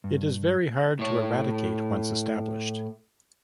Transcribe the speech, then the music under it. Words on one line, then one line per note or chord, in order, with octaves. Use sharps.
It is very hard to eradicate once established.
G2
A2 C#5